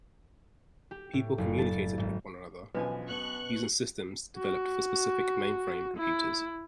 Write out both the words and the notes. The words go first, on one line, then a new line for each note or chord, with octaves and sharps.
People communicated with one another using systems developed for specific mainframe computers.
G4
A2
F#1
A5
G#1
B1 E3 F3 C#4 D4 B4 G#5
B2 B3 F#4 C#6 F#6
F#4
E4